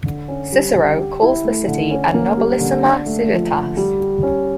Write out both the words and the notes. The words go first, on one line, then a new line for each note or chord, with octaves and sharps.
Cicero calls the city a "nobilissima civitas".
D3
C#4
G3
D3
G4
E4
A3
D3
C#4
A#3
G3
D3
D4
A3
F3
D3
G3
G4
C#4